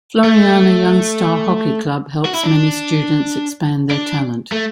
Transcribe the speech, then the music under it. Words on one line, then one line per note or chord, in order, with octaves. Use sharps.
Floriana Youngstar Hockey Club helps many students expand their talent.
A3
F#4
E4
D4
D4
A3